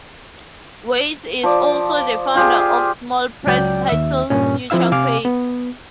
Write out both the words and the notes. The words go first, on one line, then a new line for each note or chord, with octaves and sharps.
Wyatt is also the founder of small press title "FutureQuake".
F3 D5
F4 G4 G#4
C#2 F#3 D5 G5 G6
D#2 E5
G2 A#2 C#4
F3 C4 E4 F5 E6
C3 F5 G#5 D6
B3